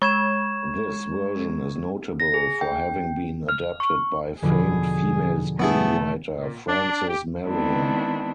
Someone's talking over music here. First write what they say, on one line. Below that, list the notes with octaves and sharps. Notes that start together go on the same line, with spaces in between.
This version is notable for having been adapted by famed female screenwriter Frances Marion.
G#3 C#6 G#6 E7
A#6
G#4
G5
F6
C#6
E2 B2 D3 F3 G#4
A3 B3 E4 G#4
A#2
D4
G4
D#3 G#3 B3 C4 D4 E4